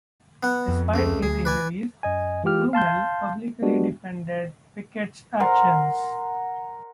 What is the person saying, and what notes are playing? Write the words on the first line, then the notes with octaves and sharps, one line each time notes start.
Despite his injuries, Krummel publicly defended Pickett's actions.
B3 F#5
F2
C#2 A3
D2 G#4
B4 D5 G#5
F#2 D#5 G#5
E3 G#3 F4 G4 F6
F5 A5 C6 G6
G3 G#3 B3 D4 F#4 G4
A#4 F#5 C6